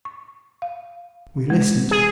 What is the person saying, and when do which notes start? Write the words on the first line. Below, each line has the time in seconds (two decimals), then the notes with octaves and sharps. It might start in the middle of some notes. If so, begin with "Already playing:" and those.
We listened.
0.05 C#6
0.62 F5
1.50 G#3
1.91 G#4